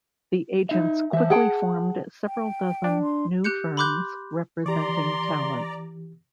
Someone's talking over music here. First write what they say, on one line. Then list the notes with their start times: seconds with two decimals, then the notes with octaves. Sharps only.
The agents quickly formed several dozen new firms, representing talent.
0.69 D#4 E5
1.13 E3 C5 E5
1.30 G#4 F#5 G5 A5
2.26 G5
2.84 D4
3.03 C6
3.44 G4 F#6 G6 C#7
3.77 B5 C6 D6 F#6 G6
4.66 E3 G4 D5 A#5 C6